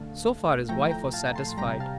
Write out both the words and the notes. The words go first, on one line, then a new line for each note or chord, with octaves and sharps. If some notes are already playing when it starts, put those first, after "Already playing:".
So far his wife was satisfied.
Already playing: D3 A3 F5 A5
A2 F3 A3 G5 A#5
G5 A#5
F5 A5
A5 C6
C3 G3 G5 A#5
F5 A5